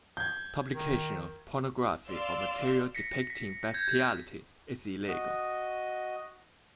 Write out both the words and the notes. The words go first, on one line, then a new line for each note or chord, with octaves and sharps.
Publication of pornography or material depicting bestiality is illegal.
G6 G#6
D#3
D5 F5 C6 E6
A#6 B6 C#7
B6
G6 G#6
F#4 D#5